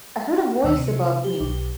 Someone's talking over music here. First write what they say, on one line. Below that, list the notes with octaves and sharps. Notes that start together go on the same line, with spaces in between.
I heard a voice above me.
D2 A#2 D#3 E6
C3
G4
B1 G4